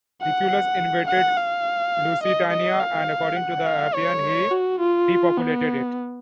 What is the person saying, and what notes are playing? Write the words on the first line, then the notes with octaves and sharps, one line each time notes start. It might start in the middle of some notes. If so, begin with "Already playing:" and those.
Lucullus invaded Lusitania and, according to Appian, he depopulated it.
F#5
F#5
F5
D#5
D#5
F5
F#5
F5
C#5
F#4
F4
B3